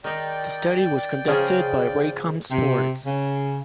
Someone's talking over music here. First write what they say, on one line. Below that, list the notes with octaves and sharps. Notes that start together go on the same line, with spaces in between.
The study was conducted by Raycom Sports.
D#3 D#4 D5 G5
C#3 F3 G#4
C3
C#3